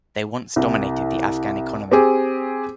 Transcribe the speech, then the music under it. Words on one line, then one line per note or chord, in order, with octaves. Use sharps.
They once dominated the Afghan economy.
C2
C4 G4 G#4